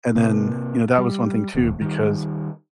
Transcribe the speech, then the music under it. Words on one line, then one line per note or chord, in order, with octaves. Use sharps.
and then, you know, that was one thing too, because,
C3 A#3
G3
D1 D#2
D#3 G3